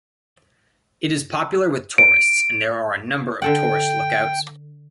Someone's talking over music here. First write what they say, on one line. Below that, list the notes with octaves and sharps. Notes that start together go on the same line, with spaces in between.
It is popular with tourists, and there are a number of tourist lookouts.
D7
D3 A4 F#5 G5